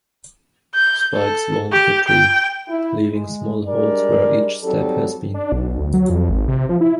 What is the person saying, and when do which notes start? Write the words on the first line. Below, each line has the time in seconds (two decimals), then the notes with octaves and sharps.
Spikes wound the tree, leaving small holes where each step has been.
0.75 G6
1.15 A4
1.72 G4
2.08 G5
2.68 E4
3.10 G#3
3.67 G3 G#3 D4 A#4 D5
4.63 F#3 G3 C4 D#4 A4
5.34 D4
5.52 B1
5.78 D2
5.93 F#3
6.10 F2
6.29 G#1
6.48 C3
6.69 F3
6.81 E4